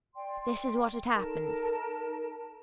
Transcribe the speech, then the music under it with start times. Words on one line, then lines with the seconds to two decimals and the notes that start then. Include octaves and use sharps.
This is what had happened.
0.15 D5 G5 C6
1.14 D#4 A4 A#4 A5